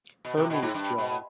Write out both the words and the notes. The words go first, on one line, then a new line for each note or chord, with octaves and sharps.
Hermes Jaw.
B2
C3
B2
G#2
G2
B2